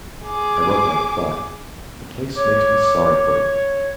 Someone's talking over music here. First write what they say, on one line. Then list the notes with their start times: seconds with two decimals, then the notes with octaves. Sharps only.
I wrote my reply: "The place makes me sorry for you."
0.25 G#4 D6
2.36 C#5 D6